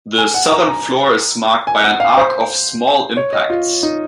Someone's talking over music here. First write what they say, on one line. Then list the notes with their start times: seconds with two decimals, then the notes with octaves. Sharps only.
The southern floor is marked by an arc of small impacts.
0.18 G#5
0.34 F#5
0.51 A#5
0.67 A#5
1.67 G#5
1.83 F#5
2.00 F5
2.17 C5
3.17 C#5
3.33 D#5
3.50 F4
3.83 D#4